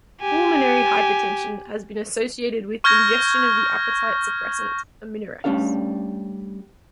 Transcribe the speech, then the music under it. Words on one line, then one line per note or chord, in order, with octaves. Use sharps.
Pulmonary hypertension has been associated with ingestion of the appetite suppressant aminorex.
G4 G#5
C#6 F6 G6 G#6 A#6
G3 A3 C#4 D4 A4 F5